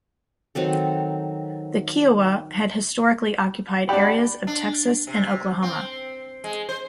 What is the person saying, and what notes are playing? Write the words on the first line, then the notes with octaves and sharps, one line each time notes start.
The Kiowa had historically occupied areas of Texas and Oklahoma.
D#3 F#3 C4 A4
D4 G4 D5 F#5 B5
D4
C3
C4
G#3
C5